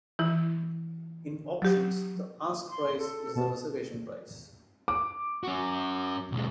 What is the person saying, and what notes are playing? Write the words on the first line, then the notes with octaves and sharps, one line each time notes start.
In auctions the ask price is the reservation price.
E3 E4
F#3 G4
C6
A4
B2 A5
D6
C#4 F#4
B1 G#3